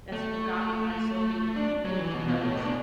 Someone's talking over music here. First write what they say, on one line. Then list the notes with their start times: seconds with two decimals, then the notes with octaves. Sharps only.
that's forgotten by so many people because
0.13 A3
1.56 D4
1.85 F#3
1.99 E3
2.14 B2
2.28 B2
2.42 A2
2.57 B2
2.65 D4